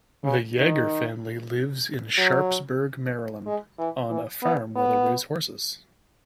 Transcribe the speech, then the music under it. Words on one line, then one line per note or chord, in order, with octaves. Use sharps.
The Yeager family lives in Sharpsburg, Maryland on a farm where they raise horses.
C#3
D#3
F#3
G#3
E3
E3
B3
B3